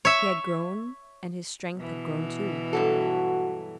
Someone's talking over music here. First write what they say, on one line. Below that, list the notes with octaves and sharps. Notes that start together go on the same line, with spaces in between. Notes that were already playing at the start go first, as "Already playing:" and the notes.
He had grown and his strength had grown too.
C#5 E5
B2 E3
G2 F#3 F#4 A4